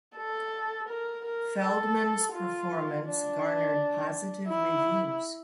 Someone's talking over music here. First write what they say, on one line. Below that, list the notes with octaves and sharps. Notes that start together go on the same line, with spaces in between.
Feldman's performance garnered positive reviews.
A4
A#4
A#4
A4
F4
D4
E4